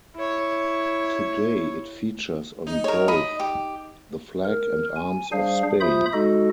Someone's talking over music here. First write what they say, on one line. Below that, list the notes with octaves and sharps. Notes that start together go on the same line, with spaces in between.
Today it features on both the flag and arms of Spain.
E4 C#5
D#4
A#4 C#5
D#5 B5
G4
A#4
G#5
G3 D4 G#4 C5 F5
F4 C5 E5 B5 D#6 G6
G#3 D#4 F#4 A4 D#5